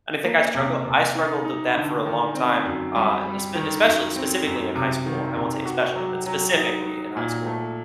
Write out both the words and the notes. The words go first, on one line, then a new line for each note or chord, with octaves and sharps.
And I think I struggle I struggled with that for a long time, uh, espe especially specifically in high school. I won't say especially, but specifically in high school.
A#3
C3
C3
D#4
D#4
D3
D#3
C4
F#2
G3
G3
D#3
F#2
C4
F#2
C3
D#3
C3
F#4
F#3
F#3
D#4
D#4
A#2
A3